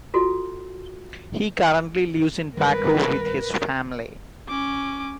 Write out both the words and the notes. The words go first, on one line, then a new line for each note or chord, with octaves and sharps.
He currently lives in Baku with his family.
F4 F#4 A4
G2 D#3 G#3 A#4 B4
C#4 D6